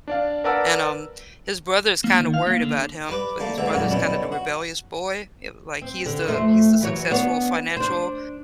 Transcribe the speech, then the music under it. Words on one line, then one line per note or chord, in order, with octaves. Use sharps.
and, um, his brother's kinda worried about him, but his brother's kinda the rebellious boy, ye like, he's the he's the successful financial
D4 D5 F5
A#4 B4 D5 F#5 A5 E6
A#3
D#3
F5
A#3
D3
G2 B4 D6
G3 A3 A#3
C#2 G#2 D3 E3 E5
F2 A#2 C#3 F#3 G3
G2 B2 G3 C#4 E4
F#4
C4
D3
F2 A3 C5
E3 F#3 C#5
B3 D4 C#5
D4 C5